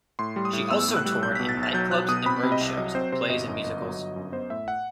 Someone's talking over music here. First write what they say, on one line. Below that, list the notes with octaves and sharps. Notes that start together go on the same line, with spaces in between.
She also toured in nightclubs and roadshows of plays and musicals.
A2 C6
G3
D#6
A2
B3 E6
A2
F#6
G3
B1 G6
B2 B6
A6
B1
A6
F#3 G6
B1 F#6
B2 D#6
C4 B5
C3
D#5
C2
F#3 D#5
C4 C5
C3 C5
G1 D#5
F#2
G1
F#3
G1
F#2
B3 C5
A2 E5
F#5